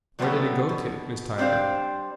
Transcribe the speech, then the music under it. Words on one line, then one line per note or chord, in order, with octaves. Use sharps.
"Where did he go to, Miss Tyler?"
A#2 F#3 G3 A3 B3 A4
B2
G3 C4 D4 C5 F5